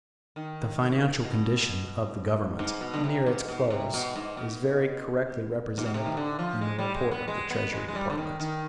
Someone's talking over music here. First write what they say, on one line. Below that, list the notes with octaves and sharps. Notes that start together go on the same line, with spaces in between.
The financial condition of the Government, near its close, is very correctly represented in the report of the Treasury Department.
D#3
B2
G#2
B2
D3
C3
G#2
B2
C3
B2
G#2
B2
G#2
B2
C3
D#3
D3
F3
G#3
G3
G#3
B3
G#3
B3
G#3
G#3
G3
D3
D#3
D#3